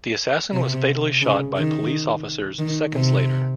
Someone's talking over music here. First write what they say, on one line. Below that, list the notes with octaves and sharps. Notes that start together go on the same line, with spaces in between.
The assassin was fatally shot by police officers seconds later.
C3
C#3
D#3
D#3
C3